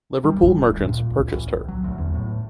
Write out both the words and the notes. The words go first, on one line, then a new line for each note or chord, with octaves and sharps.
Liverpool merchants purchased her.
G3
D1
D2
A#2
C#2
A1
C2
F#3
D2
E2
A2